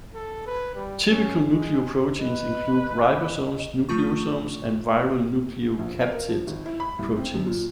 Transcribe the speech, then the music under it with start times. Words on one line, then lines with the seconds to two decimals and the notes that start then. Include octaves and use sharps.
Typical nucleoproteines include ribosomes, nucleosomes, and viral nucleocapsid proteins.
0.15 A4
0.46 B4
0.75 G3
1.09 C#4
1.50 G#3
2.19 B4 D#5
3.89 F3 A3 F4 C#6
5.79 A#1
6.01 F5
6.12 A#4
6.28 F3
6.47 G#1
6.66 E4
6.80 B5
6.99 C2
7.18 C4
7.34 F#2
7.47 A#2